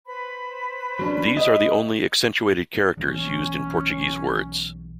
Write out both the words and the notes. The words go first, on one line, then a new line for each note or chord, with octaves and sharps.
These are the only accentuated characters used in Portuguese words.
B4 C5 B5
F#3 C#4 D4
D#5
B1 E3 A#3 C#4